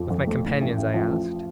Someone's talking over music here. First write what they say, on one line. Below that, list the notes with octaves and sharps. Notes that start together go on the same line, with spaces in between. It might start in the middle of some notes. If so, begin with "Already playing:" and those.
"With my companions?" I asked.
Already playing: F2 F3
F2
A3
A2
A1
A1
F3
F3